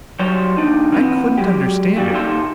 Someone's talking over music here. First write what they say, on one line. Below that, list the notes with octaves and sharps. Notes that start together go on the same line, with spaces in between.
I couldn't understand it.
F#3 G3 C5 C#5 C6
D#2 D4 D#4
E3 B3 C4
F#3 G#3 G4
A#2 F#3 G3
A#2 D#3 G4 A4 E5 C6